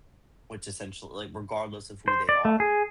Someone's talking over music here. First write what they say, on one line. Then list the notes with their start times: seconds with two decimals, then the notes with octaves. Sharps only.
which essentiall like, regardless of who they are,
2.08 C5
2.29 D5
2.45 A3
2.60 G#4